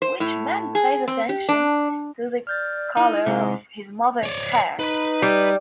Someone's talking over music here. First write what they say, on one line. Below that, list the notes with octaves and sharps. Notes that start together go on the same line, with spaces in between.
Which man pays attention to the color of his mother's hair?
C5
A2
G#4
C4
G4
D4
D5 F6 G6 A6
D#4 E4
G#2 C3 G#3
C#5 D5
D#4 B4 B5
G3